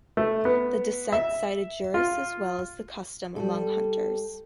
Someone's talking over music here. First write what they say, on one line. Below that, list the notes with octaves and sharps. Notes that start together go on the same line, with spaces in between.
The dissent cited jurists as well as the custom among hunters.
A3
B3
E5
F4
G3 A4